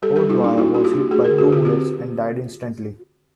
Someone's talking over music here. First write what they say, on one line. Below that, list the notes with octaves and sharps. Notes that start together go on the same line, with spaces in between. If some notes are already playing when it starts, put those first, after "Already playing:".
O'Dwyer was hit by two bullets and died instantly.
G3 G4 A4
G3 G4 A4
D#4 F4
A#3 D4 E4
A#3 E4 F#4
D4 F#4
F4 G4
D4
A3 F#4 G#4
G#4 A#4
D3
F#4 G#4
D3 F4 G4
C4 F4 G4